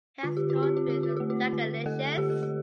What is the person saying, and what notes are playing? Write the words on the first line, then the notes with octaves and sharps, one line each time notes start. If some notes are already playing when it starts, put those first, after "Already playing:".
He has toured with Blackalicious.
D3 F4
G4
F4
C4
G4
F4
D3 G4
F4
A3 G4
F4
D3
A3 A4
D3 G4
A4
G4